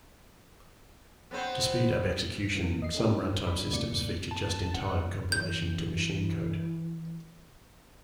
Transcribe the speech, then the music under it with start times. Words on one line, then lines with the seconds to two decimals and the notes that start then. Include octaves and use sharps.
To speed up execution, some runtime systems feature just-in-time compilation to machine code.
1.31 B3 C4 C5
2.55 E3 A#3 B3
2.80 E2 D#5 C7
2.95 A3 C#4 D#4 G4
3.23 C5
3.47 F#3 D4 B5
3.70 D#2 A2 C3 A#3 D5 C#7
4.31 A5
4.74 F#5
5.32 E3 G6